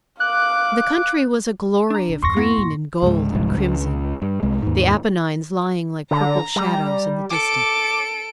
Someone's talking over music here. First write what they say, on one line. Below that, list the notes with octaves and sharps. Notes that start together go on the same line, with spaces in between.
The country was a glory of green and gold and crimson, the Apennines lying like purple shadows in the distance.
F5 D6 F#6
D4 A#5
B1
E2 G2 C6 C#6 A#6
A#3 B3 E4
G2 A#2
C#2 G#2
E1 C2 G#2 F3
C#2
G2
C2 G#3
D#2 G#2
D3 A#5
G3
A4 D6 D7